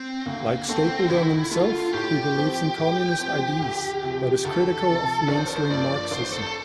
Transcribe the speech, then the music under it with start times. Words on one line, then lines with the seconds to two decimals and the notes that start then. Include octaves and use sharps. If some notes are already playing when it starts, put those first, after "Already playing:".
Like Stapledon himself, he believes in communist ideas but is critical of mainstream Marxism.
Already playing: C4
0.26 D2 A#3
0.68 D3 A3 C4
1.09 D2 E4
1.51 D3 A3 F4
1.93 A2 G4
2.35 F3 C4
2.77 A2
3.19 F3 C4
3.60 D2
4.03 C3 F3
4.44 D2 A4
4.86 C3 F3
5.28 A1 D5
5.37 C5
5.47 A#4
5.56 C5
5.69 G2 F3 A#3 D5
6.11 A1 C5
6.32 A4